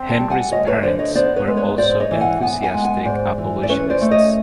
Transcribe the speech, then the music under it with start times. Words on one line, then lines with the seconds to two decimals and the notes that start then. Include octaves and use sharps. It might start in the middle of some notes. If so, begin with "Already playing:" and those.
Henry's parents were also enthusiastic abolitionists.
Already playing: C4
0.09 G5 A5
0.20 G3
0.30 F#5 G#5
0.51 D2 C#5 D#5
0.67 B4 C#5
0.83 D3 C5 D5
0.99 C#5 D#5
1.15 B3 C5 D5
1.36 B4 C#5
1.48 G#3
1.57 B4 C#5
1.78 G#2 C5 D5
2.00 C#5 D#5
2.11 E3
2.20 F#5 G#5
2.41 B3 F#5 G#5
2.63 F#5 G#5
2.74 G#3
2.85 F#5 G#5
3.05 G#2 C5 D5
3.38 E3
3.63 D5
3.69 C#4 B4 C#5
3.90 C5 D5
4.01 A3
4.11 C#5 D#5